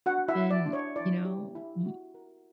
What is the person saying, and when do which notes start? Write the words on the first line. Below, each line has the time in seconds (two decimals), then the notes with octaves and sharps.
been, you know, m
0.06 D4 F#4 F#5
0.28 E4 E5
0.36 F#4
0.51 D5
0.66 D4
0.73 C#5
0.96 E4 D5
1.25 G4
1.55 E4
1.85 F#4
2.15 A#4